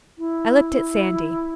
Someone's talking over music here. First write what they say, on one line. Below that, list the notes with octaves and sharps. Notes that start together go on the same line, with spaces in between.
I looked at Sandy.
E4